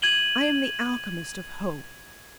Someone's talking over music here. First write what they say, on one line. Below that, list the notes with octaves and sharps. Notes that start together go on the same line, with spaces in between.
I am the alchemist of hope.
G#6 D#7 F#7 G7